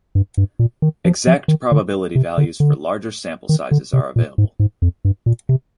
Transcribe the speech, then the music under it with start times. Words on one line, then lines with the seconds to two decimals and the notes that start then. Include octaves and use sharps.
Exact probability values for larger sample sizes are available.
0.15 G2
0.38 G2
0.59 A#2
0.82 D#3
1.05 F3
1.27 F3
1.48 D#3
1.72 D3
2.15 C3
2.38 D3
2.60 D3
3.49 D#3
3.71 D3
3.93 C3
4.16 A#2
4.38 G#2
4.60 G#2
4.82 F2
5.05 G2
5.26 A#2
5.49 C3